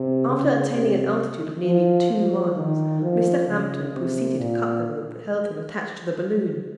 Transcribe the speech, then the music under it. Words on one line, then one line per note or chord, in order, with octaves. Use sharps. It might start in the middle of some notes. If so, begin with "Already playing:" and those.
After attaining an altitude of nearly two miles, Mr. Hampton proceeded to cut the rope that held him attached to the balloon.
Already playing: C3
C#3
C3
F3
F3
D#3
F3
C#3
C3
A#2